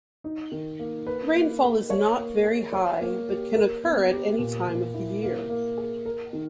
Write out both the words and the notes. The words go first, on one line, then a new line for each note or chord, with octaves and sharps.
Rainfall is not very high but can occur at any time of the year.
D#4
D#3
A#3
B4
A#3
G#4
C#5
A#3
G#4
C#5
A#3
G4
A#4
B3
G4
A#2
A#2
E4
A#3
A#3
G#4
A#4
D#3